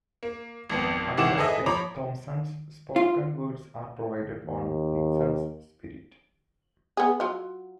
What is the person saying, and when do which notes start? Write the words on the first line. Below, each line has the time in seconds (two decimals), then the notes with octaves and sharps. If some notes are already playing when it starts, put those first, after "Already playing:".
Hunter S. Thompson's spoken words are provided on "Nixon's Spirit".
0.23 A#3
0.70 G#1 F2 B3
1.17 G#1 D#3 E3 F#5 D6 E7
1.38 G#4 A4 B4 D#5 E5
1.66 F3 C#5 A#5 B5 D6
2.96 F4
4.45 D#2
6.97 B3 G#4
7.20 F#3 F4